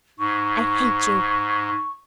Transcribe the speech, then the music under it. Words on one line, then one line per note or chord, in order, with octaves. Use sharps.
I hate you.
G#2 C#6